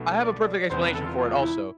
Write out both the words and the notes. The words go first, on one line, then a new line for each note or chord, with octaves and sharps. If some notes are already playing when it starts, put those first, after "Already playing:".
I have a perfect explanation for it also.
Already playing: B1 B2 A3
D5
E1 E2 C3 C5
B4
A4
F4
F4
E4